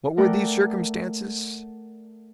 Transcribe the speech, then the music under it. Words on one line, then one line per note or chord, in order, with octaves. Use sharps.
What were these circumstances?
A3 A#4 D5 F#5 G5